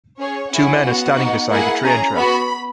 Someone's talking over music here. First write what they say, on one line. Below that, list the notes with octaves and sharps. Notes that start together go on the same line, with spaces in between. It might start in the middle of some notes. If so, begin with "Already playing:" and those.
Two men are standing beside the train tracks.
C#4 G#4 C#5
C#4 E4 G#4 F#5
B3 F#4
B3 D#4 F#4
A#3 E4 G#4 F#5
C#4 G#4 A#5
B3 F#4 B5